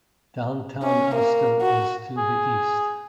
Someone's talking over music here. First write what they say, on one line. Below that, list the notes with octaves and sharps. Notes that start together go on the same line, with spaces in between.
Downtown Austin is to the east.
C#4
A#3
F#4
G#4